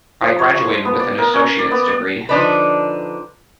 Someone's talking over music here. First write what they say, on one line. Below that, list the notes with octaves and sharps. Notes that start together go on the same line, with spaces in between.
I graduated with an associate degree.
F3
C#5
C6
B3
D5
A#4
C#4
D5
B3
D5
D3 F3 D4 D#4 B4